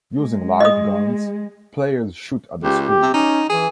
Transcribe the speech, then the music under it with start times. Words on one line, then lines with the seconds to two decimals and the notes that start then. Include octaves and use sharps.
Using light guns, players shoot at the screen.
0.17 G#3
0.61 D#5 D#6
2.63 C#2 G4
2.85 G4
3.02 C3
3.14 C#4 D#4
3.50 E3 G#4